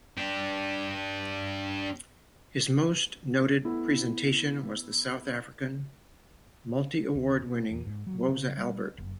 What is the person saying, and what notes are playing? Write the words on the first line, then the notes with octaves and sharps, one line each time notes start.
His most noted presentation was the South African, multi-award-winning Woza Albert!
D4 G4
A3 B3 E4
D2
B2
E2
G#2
F#3
C#3
G3
F#1